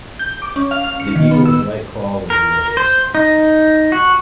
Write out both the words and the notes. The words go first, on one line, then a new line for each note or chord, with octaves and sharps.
The eagle's right claw was raised.
G6
D6
C#4
F5
F6
C#7
D#3
B3
E6
A#4
C5
D#4
F#4